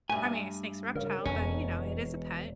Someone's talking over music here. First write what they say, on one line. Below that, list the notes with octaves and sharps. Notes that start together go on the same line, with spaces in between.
I mean, a snake's a reptile, but, you know, it is a pet,
G2 A3 G#5
C#3 A#4
E1 F2 C#4